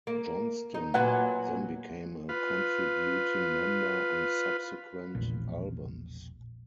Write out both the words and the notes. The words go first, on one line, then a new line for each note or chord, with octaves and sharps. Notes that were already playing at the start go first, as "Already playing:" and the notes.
Johnston then became a contributing member on subsequent albums.
A#3
D#4
A#2 F#3 B3 B4 F#5 G#5
F4 B4
E1 A#1